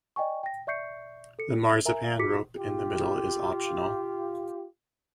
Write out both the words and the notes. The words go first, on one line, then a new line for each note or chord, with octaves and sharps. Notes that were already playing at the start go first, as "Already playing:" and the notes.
The marzipan rope in the middle is optional.
D5 D#5 G5 G#5 C#6
G5 A#6
D5 E5 C#6 G6 C7 C#7
A4 C#7
A#4 E5 G#5 A#5
F4 F#4 G#4 D6 B6 C#7
F4 G4